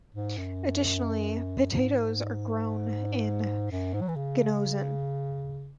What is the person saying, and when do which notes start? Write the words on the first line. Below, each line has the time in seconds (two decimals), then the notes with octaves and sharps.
Additionally potatoes are grown in Ginozan.
0.15 G#2
0.37 F#2
1.71 G#2
3.71 F#2
3.94 G#2
4.01 F#3
4.08 E3
4.16 C#3